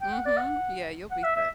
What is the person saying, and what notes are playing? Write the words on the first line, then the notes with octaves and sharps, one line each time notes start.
Mhm. Yeah, you'll be set.
G5
F#5
D5
F#5
F#5
E5
E5